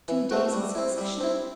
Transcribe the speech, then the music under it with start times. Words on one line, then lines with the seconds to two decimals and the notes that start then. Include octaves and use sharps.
Two days in succession!
0.08 E3
0.31 A3 C4 F#4
0.53 G3
0.75 C4 E4
0.98 G3
1.20 C4 E4